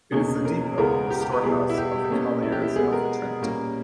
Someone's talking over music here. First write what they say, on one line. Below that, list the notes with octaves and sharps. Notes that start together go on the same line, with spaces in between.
It is the depot, or storehouse, of the colliers of the Trent.
E2 B2 A#3 C#4 G#4
A#4
E2 C#3 G#3 B3 A#4
G4
G4
B4
E2 B2 G3 B3 G#4
E4
G4
B2 A#3 C#4
E4
G4
E4
B2 G#3 B3 G#4
A#4
A#2 G3 A#3 C#4